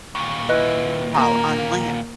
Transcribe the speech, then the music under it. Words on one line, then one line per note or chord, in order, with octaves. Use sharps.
while on land
D#2 A#2 C#6
E4 B4 D#5 F#6
A#3 A#4 A#5